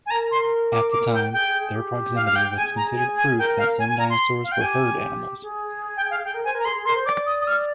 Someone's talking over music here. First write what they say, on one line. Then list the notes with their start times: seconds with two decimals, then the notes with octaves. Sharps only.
At the time, their proximity was considered proof that some dinosaurs were herd animals.
0.06 G#5
0.10 A#4 A#5
0.31 C6
0.72 D6
0.92 D6
1.13 G5
1.33 G#4 G5
1.47 G#4
1.60 G#4
1.75 G4
2.15 F5
2.26 F5
2.36 G5
2.50 G5
2.56 G#4 G#5
2.76 A#5
2.97 G#5
3.17 G#5
3.38 A#4 G5
3.58 F5
3.79 G#5
3.89 G#5
3.99 A#5
4.10 C6
4.44 F5
4.52 G5
4.61 G4 G#5
5.42 G#4
5.97 G5
6.10 F5
6.25 G#4 G5
6.34 A#4
6.44 C5 G#5
6.54 A#4
6.60 A#5
6.65 G#4 C6
6.75 G#4
6.85 A#4 C6
6.95 C5
7.06 D5 D6
7.26 D#6
7.41 D#6
7.47 F6